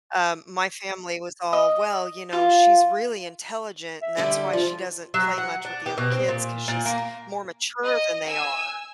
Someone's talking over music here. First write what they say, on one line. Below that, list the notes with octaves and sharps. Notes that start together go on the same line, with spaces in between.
Um, my family was all, "Well, you know, she's really intelligent and that's why she doesn't play much with the other kids 'cause she's more mature than they are."
D#5
F4
E5
G2 D3 G3
F3 F4
F#3
F#5
D4
G4
B2
C4
A#2
A#2
A#3
D#5
G#5 E6